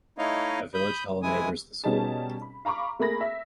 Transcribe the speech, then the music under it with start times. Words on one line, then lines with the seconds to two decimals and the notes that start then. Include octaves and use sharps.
A village hall neighbours the school.
0.18 A3 D#4 E4 C#5 D#5 F5
0.74 B5 D#6 G6
1.23 C3 E3 G#3 E4 G#5 D#6
1.84 B2 G3 C#4 D#4 G#4 A5
2.42 B5
2.65 F5 A#5 B5 C#6 D6
2.99 A3 A#3 G#4 B5 A#6
3.21 E5